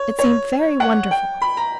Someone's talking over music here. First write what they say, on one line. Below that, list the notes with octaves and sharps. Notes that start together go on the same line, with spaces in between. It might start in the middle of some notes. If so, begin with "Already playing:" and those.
It seemed very wonderful!
Already playing: C#5
C#5
F#5
G5
B5
A#5